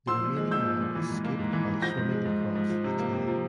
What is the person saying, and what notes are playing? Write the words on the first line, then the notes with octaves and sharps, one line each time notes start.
The remaining man escaped by swimming across the Tay.
F3 C6 E6
A#2
G#3
A#2 E6 G6
F3
A#2
E3
G#2
A#3
G#2
E3
G#2
F3 G6 A#6
G#2
G#3
G#2
F3
G#2
F3
C3
A#3
C3
F3